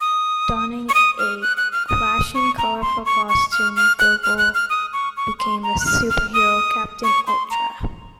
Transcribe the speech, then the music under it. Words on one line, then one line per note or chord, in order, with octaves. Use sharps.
Donning a clashing, colorful costume, Gogol became the superhero Captain Ultra.
D#6
C#6
D#6
F6
F#6
F#6
F6
D#6
C#6
A#5
C6
C#6
C#6
F6
F6
F#6
F6
F#6
F6
D#6
C#6
C#6
C6
A#5
F#6
F6
F6
D#6
C#6
C6
A#5